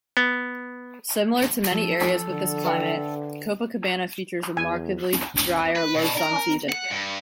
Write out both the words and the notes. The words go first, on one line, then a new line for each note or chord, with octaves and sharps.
Similar to many areas with this climate, Copacabana features a markedly drier "low-sun" season.
B3
F3 A4
D3
B4 E5 G5
E2 G#5
B4
B2
A#4
F#5
G2